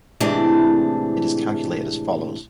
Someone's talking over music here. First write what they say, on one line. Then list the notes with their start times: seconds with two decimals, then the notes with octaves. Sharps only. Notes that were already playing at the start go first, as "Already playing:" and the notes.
It is calculated as follows.
0.20 A2 C3 E3 G#3 C4 D4